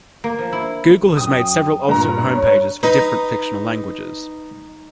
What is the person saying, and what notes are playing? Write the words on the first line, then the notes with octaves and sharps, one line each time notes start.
Google has made several alternate homepages for different fictional languages.
A#3
F3
E4
F#2 G5 D#6
G2 A#2 A#5
C#5
D#4 B4